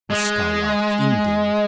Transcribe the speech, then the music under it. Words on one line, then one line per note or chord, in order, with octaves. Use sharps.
The Skylarks, indeed!
G#3